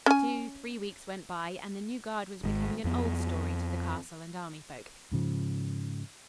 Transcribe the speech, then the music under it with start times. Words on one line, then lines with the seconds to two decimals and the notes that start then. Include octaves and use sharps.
Two, three weeks went by and the new guard was becoming an old story to the castle and army folk.
0.06 C#4 G#5
2.44 G#1 G#2
2.84 F2 B3
5.12 G#2 C#3 F3